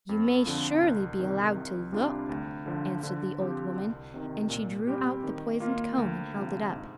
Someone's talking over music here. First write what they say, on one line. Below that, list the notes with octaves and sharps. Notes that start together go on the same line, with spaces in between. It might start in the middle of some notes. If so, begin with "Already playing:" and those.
"You may surely be allowed to look!" answered the old woman, and she drew out the poisoned comb and held it up.
F2
D3 F3 C4
C2
C3 D#3
C2
C3 G3 D4 F4
D2
D3 F3
D3
F3 C4 G4
C2
C3 D#3
A#2
G3 C4 G4
D#3
A#3 F4
D2
C3 F3
G#2